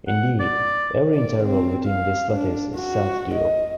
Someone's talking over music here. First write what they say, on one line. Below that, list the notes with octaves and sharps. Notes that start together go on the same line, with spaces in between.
Indeed, every interval within this lattice is self-dual.
F#5
D5
D5
C4
F5
D4
F#4
D#5